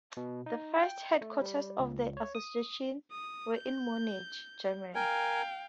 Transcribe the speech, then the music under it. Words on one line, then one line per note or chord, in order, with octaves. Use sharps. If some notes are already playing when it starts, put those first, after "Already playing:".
The first headquarters of the association were in Munich, Germany.
B2
D#4
G5
A3
G3
C#2
C#5
D#6
D#6
G6
A#4 F5 G5 G#5